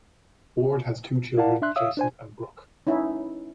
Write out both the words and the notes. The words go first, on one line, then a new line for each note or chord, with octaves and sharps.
Ward has two children, Jason and Brooke.
E4 A#4 D5 F5 F#5 A5
D4 E5 C6 F#6
C#5 E5 F5 D#6 E6
D4 C5 G#5
C#4 D#4 E4